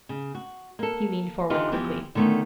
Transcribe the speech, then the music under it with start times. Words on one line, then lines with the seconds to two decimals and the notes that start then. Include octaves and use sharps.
He leaned forward quickly.
0.09 C#3
0.35 F#4
0.79 A#3 A4
1.50 D3 E3 D#4 F4 G4 B4
1.72 E2 E3 F3 G4
2.15 D3 D#3 A3 B3 C#4